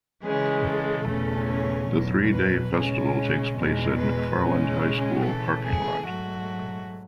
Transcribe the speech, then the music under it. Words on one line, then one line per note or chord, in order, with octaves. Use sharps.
The three-day festival takes place at McFarland High School parking lot.
C#3 E3 G#3 G#4
A4
E2 C#3 E3 A3 C#4
C#5
E2 B2 F#3
B4
C#3 G#3 C#4
E2 B2 G#3
B4
C#3 G#3 C#4
C#3 E3 A3 A4
G#4
G#2 F#3 A3 F#4